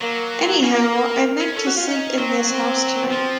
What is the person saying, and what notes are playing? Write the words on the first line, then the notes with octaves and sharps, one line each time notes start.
Anyhow I meant to sleep in this house tonight.
F#3 A#3
A#3 C#4
F4
A#4
A#4
C#4
C#4 A4
F#4
F4
D#4
F#3 C4
C4
A#3
C4
F3